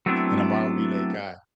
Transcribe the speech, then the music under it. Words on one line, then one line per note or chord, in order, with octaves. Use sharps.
and I'm our relay guy.
F#3 A3 B3 C4 D4 E4